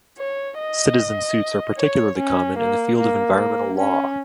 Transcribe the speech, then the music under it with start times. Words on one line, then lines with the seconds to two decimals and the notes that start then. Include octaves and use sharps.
Citizen suits are particularly common in the field of environmental law.
0.18 C#5
0.58 D#5
1.78 C#5
2.18 C#4
2.58 A#3
2.98 A#3
3.38 A#3
3.78 C#4